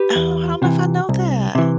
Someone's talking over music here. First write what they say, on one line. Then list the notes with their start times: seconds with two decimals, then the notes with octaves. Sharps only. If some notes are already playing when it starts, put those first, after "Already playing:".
Oh, I don't know if I know that.
Already playing: G4 B4
0.16 E2
0.62 C3 E3
1.09 C2
1.55 C3 E3